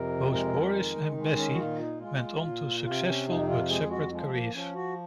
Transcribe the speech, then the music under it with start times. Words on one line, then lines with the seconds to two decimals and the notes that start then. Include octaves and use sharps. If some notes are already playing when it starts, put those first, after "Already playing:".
Both Boris and Bessie went on to successful but separate careers.
Already playing: F2 C3 A#4
0.32 G#3 A#4
0.74 D#3
1.17 G#3
1.37 C#4
1.54 F#4
1.59 A#2 F4
1.80 D#4
2.00 G#3 F4
2.42 A#2
2.85 C3 F4
3.07 C#4
3.28 F2 D#4
3.49 F4
3.69 G#3 G#4
3.91 F#4
4.11 F3 G#3
4.33 A#3
4.54 F3 C#4
4.75 F#4